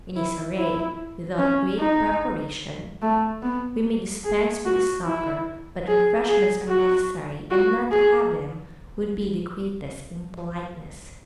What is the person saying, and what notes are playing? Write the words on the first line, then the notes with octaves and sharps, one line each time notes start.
In a soiree without great preparation, we may dispense with a supper, but refreshments are necessary; and not to have them would be the greatest impoliteness.
E4
E4
C#4
D#4
A3
B3
G#4
F#4
E4
G#4
G#4
F#4
F#4
G#4